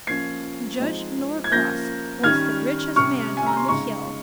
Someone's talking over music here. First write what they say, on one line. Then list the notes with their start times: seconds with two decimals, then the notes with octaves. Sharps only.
Judge Norcross was the richest man on the Hill.
0.07 F3 A#3 C#4 G#6 C7
0.80 F3 G#3 C4 D#4
1.44 G#6
1.51 F3 A#3 C#4 G6 A#6
2.24 D#3 G3 C#4 F6 G#6
2.96 C3 G3 C#4 C#6 F6
3.37 G#5
3.46 A#5
3.57 C6
3.68 C#3 G#3 D#4 A#5 C#6